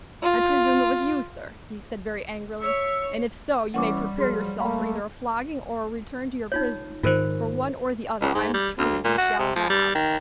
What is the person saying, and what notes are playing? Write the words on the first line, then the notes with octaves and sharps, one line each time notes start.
"I presume it was you, sir," he said very angrily, "and if so, you may prepare yourself for either a flogging or a return to your prison, for one or the other I am determined you shall have."
F4
C#5 E5 C#6
E3 G3 C#4 F#5 C#6 D6
F3 F#3 G#4 C6 F6
A3 A#3 F5 A#5 B5
D#4 F4 C#5
G#2 D#3 F4 A#4 C5
C#2
G#2
G3
D2
A#2
F#4
C3
F3
G3
D#3